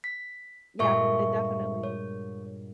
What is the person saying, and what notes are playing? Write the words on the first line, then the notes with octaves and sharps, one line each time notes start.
Yeah. It definitely is.
B6
G2 A#2 G#3 A4 E5 C#6
C#5